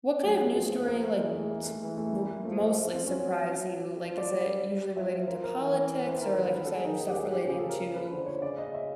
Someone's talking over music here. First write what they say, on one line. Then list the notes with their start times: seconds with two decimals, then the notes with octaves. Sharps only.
what kind of news story, like, s w mostly surprise you? Like, is it usually relating to politics or like you said, stuff relating to,
0.24 F#3 A3
0.35 G#3
0.45 G#3
0.56 F3 A3
0.79 B3
0.88 A#3
1.18 E3 G#3
1.35 A3
1.51 A#3
1.66 A3
1.81 E3 G#3
1.97 A3
2.13 A#3
2.44 F3 A3
2.60 A3
2.92 C4
3.07 F#3 C#4
4.01 F3
4.18 D5
4.33 G3
4.97 F3 E5
5.28 A#4
5.44 A#4
5.59 E3
6.06 C5
6.14 B4
6.22 D#3 A#4
6.38 B4
6.54 B4
6.65 A4
6.75 G#4
6.85 D#3 D#4
7.01 G#4
7.08 G4
7.17 G#4
7.32 G4
7.42 G4
7.48 C#3 G#4
7.59 A4
7.69 A#4
7.95 B4
8.10 D3 C5
8.26 C#5
8.42 C#3 D5
8.58 D#5
8.74 E5